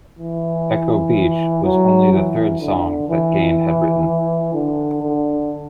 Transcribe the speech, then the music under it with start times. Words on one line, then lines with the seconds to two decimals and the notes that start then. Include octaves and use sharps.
"Echo Beach" was only the third song that Gane had written.
0.19 E3
1.64 F#3
2.12 E3
2.61 D3
3.09 E3
4.54 D3
5.02 D3